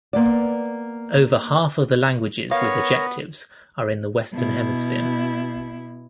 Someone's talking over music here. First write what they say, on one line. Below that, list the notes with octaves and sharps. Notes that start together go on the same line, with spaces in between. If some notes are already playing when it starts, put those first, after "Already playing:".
Over half of the languages with ejectives are in the Western Hemisphere.
A#3 B3 D5
B3 A#4 C#5 F5
B2 E4